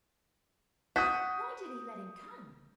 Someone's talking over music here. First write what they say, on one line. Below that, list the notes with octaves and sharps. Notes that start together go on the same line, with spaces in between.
Why did he let him come?
F#4 D#6 G6 B6